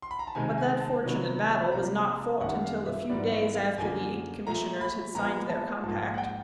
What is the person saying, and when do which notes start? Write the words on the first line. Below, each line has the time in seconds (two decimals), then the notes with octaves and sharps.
But that fortunate battle was not fought until a few days after the eight Commissioners had signed their compact.
0.02 C6
0.11 B5
0.19 A#5
0.27 A5
0.35 C3 D#3 G#3 G#5
0.58 G#5
0.80 A5
1.04 C3 D#3 F#3 B3
1.61 B5
1.72 C3 F3 A#3 A#5
1.95 A#5
2.18 A5
2.40 F#2 D#3 G3 A#3 F#5
2.64 F5
2.86 E5
3.10 G#2 E3 G3 B3 D5
3.32 D#5
3.55 F5
3.78 F#2 D3 F3 A#3 G#5
4.47 A#2 F3 A3 A#5
4.81 B5
5.15 A#2 F3 G#3 B3 A#5
5.49 A5
5.84 G#2 F3 A#3 A5
6.14 F#5
6.18 G5